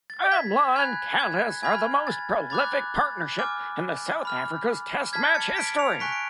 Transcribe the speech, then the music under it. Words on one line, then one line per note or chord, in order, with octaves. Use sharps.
Amla and Kallis are the most prolific partnership in South Africa's test match history.
A6
G#6 B6
G#5 B5 F#6 G#6
G#6
G#5 B5 F6 G#6
A6
B5 D6 F#6 A6
A6
G#5 D6 F6
B5 F6
A5 F6 G#6 B6
A6 C#7
B6 D7
C#7 F7
G#5 C#6 F#6 B6 D7
D7